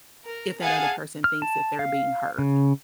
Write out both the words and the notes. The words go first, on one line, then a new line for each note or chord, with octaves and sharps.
if that other person thinks that they're being heard.
A#4
G#4 F5 F#5 G#5 A5
F6
A5
F5
C#3